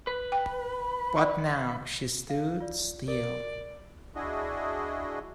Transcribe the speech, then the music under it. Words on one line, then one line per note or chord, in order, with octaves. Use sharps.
But now she stood still.
B4
G5
D5
F5
F4 D5
A#4 D5
D4 E4 F#4 G#4 D#5